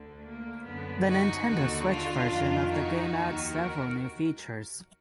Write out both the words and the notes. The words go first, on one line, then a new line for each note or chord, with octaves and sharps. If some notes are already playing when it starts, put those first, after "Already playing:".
The Nintendo Switch version of the game adds several new features.
Already playing: D2 D3
A#3
F#2 D3 B3
D#4 F#4
D#2 D3 D#4 F#4
D4 F4
F2 D#3
D#4 F#4
D#2 D#3
F#4 A#4